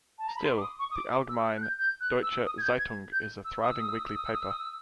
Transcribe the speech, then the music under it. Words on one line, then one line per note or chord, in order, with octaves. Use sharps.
Still, the "Allgemeine Deutsche Zeitung" is a thriving weekly paper.
A5
A#5
B5
C6
D6
D#6
C#6
D#6
D6
D6
E6
F#6
G6
G6
F#6
E6
D#6
G#6
G6
G#6
G6
E6
D#6
E6
D#6
E6
D#6
E6
D#6
E6
D#6
E6
D#6
E6